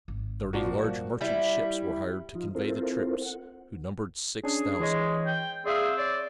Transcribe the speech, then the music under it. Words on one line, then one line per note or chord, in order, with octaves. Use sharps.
Thirty large merchant ships were hired to convey the troops, who numbered six thousand.
G#1
A#2 F3 A#3 F#4
G3
G3 E4
F3 D#4 F4
C4 E4 F4 A4 A#4 C5
F#5
C#4 D4 G#4
E3 G#3 C#5 D#5
G5
C4 G#4 D5 E5 F5
C#5 D5